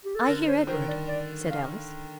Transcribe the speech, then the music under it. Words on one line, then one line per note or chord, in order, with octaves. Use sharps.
"I hear Edward," said Alice.
G4
A4
D3 A#4
C5
D#3 C5
D5
D5
F5